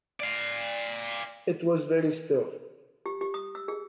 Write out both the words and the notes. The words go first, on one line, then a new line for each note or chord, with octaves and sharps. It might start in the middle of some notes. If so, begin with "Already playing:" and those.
It was very still.
D5 F5
G4
G4
D#6
E6
G#4